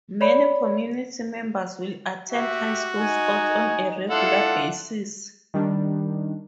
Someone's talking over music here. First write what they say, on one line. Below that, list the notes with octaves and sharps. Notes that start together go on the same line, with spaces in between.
Many community members will attend high school sports on a regular basis.
C#5 D5 B5
F#4 G4 E5
D#4 G#5
D4 E4 F4 A4 F#5
D#3 G3 D4